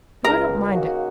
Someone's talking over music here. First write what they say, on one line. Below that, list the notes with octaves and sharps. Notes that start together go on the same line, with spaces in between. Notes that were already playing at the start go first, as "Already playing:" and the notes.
But I don't mind it.
C#2 A#4
C#3 A#3 D#4 F#4